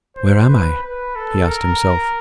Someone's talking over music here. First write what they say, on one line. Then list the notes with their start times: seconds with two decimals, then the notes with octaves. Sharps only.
"Where am I?" he asked himself.
0.16 C5
0.49 B4
0.83 B4
1.16 A4
1.48 A#4